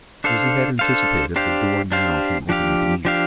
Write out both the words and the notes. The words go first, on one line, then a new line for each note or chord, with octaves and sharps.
As he had anticipated, the door now came open with ease.
D4 A4 C5 F5
D4 A4 C5 F5
D4 G4 C5 F5
D4 G4 C5 F5
F3 D4 G4 F5
F3 D4 G4 F5